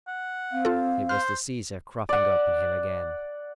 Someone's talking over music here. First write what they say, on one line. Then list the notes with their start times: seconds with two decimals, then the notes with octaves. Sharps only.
It was the Caesar cropping up in him again.
0.07 F#5
0.52 C4 F5
0.65 F4 A4
1.09 C5 F6
2.09 D5 F#5